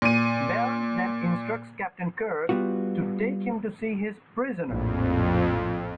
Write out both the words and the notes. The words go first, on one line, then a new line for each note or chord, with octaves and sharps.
Bele then instructs Captain Kirk to take him to see his "prisoner".
A#2 D#7
G3 B3 F4 F#4
A#1 F2 A2